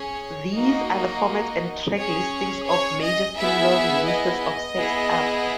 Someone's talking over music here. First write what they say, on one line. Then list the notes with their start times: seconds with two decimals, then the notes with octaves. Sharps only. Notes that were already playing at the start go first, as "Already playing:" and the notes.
These are the formats and track listings of major single releases of "Sexed Up".
Already playing: C#4 G#4 C#5
0.55 A#3 D#4 F#4 D#5
1.96 C#4 G#4 C#5
2.66 C#5
3.02 D#5
3.36 B3 E4 G#4 E5
4.06 D#5
4.76 B3 E4 G#4